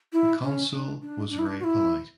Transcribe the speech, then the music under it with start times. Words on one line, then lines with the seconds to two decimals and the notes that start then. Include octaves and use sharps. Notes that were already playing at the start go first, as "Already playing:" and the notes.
The consul was very polite.
0.13 E4
0.43 C#4
0.72 D4
1.02 D4
1.30 D4
1.39 E4
1.46 D4
1.60 F#4
1.64 E4